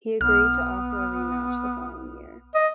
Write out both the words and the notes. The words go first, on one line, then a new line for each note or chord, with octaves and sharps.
He agreed to offer a rematch the following year.
B1 B3 F6
D#5